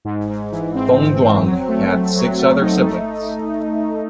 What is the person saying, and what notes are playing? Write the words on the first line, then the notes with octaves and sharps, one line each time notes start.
Thongduang had six other siblings.
G#2
G#2
E3
C4
C4
C4
F#3
A3
A3
F#3
A3
D#4
A3